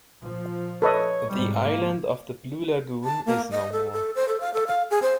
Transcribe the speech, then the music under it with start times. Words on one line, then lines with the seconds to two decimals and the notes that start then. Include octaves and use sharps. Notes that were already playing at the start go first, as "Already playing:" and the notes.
The island of the Blue Lagoon is no more.
0.20 A#2 F3
0.82 A4 B4 C#5 D#5
1.30 G#2 C3 G3
1.61 A#3
3.04 A5
3.26 A#3
3.52 D#5
3.72 A4
3.92 A4
4.15 C5
4.28 A4
4.40 F5
4.54 A4
4.67 F5
4.91 G#4
5.02 C5